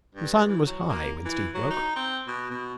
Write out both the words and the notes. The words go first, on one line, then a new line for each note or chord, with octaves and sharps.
The sun was high when Steve woke.
G2
E3
F#3
A#3
E3
F#3
D#4
C4
B2
B2